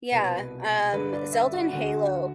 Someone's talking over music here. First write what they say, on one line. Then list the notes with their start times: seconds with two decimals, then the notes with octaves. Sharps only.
Yeah, um, Zelda and Halo
0.12 C2 B2 B4
0.93 G2 D3 B4
1.13 D5
1.33 E5
1.53 F#4
1.73 D2 D3 F#4